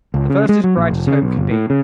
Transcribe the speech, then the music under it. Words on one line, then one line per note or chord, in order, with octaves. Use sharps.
The first is bright as home can be.
C#2
C#3
G#3
F#3
A#1
F1
C#3
B1
G1
A2
C#3